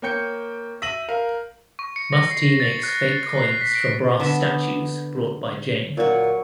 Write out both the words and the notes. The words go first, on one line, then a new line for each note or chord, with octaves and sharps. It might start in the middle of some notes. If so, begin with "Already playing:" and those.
Mufti makes fake coins from brass statues brought by Jane.
A#3 C#5 G5 G6 C#7
E5 A#6 D#7 F#7
A#4 F5
C#6
C#7
A#6
C7
A6
F#6
A6
C7
B6
D7
D3 B3 E5
A#2 F#3 F#4